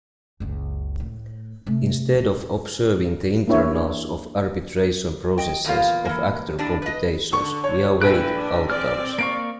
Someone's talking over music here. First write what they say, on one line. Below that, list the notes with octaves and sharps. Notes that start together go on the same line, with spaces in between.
Instead of observing the internals of arbitration processes of Actor computations, we await outcomes.
F#1 C#2
A2
C3 A3
D#2
A#3 D4 E4 C#5 E5
D#5 G5
E2 E3 A#3 F4 F5
E3 A#3
A2 D4 D5
B4 D#5
D3 C#6
C#5
A#1 E4 A4 B4 G5 F#6 D7
D4
C4 D5 F6
A#3 F5 C#6 D7